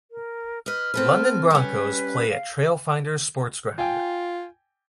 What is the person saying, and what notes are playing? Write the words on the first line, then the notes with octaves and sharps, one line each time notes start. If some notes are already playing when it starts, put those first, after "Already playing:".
London Broncos play at Trailfinders Sports Ground.
A#4
B4 D#5 F6
C4 A4 B4
G3 C#4 B4
F5
F4 G5 G#5